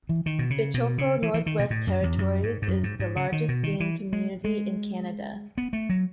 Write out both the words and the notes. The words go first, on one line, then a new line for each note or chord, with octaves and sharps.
Behchoko, Northwest Territories is the largest Dene community in Canada.
E3
D#3
B2
C#3
B2
C#3
E3
E3
D#3
B2
A2
F#2
E2
F#2
G#2
G#2
F#2
G#2
G#2
C#3
D#3
B2
D#3
E3
G#3
G#3
B3
A3
F#3